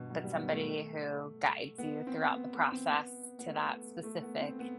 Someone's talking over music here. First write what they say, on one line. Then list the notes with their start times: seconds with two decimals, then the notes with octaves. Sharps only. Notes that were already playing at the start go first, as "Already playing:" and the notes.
but somebody who guides you throughout the process to that specific,
Already playing: G2 B2
0.10 F#3
0.24 G3
0.37 B3
0.51 A3
1.78 B3
2.07 C4
2.34 B3
2.54 B3
2.72 C4
2.90 B3
3.39 B3
3.46 A3
4.03 A3
4.22 B3
4.40 C4
4.59 B3